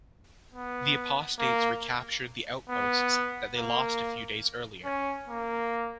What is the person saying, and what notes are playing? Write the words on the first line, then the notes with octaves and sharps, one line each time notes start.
The apostates recaptured the outposts that they lost a few days earlier.
B3
A#3
B3
A#3
C#4
A#3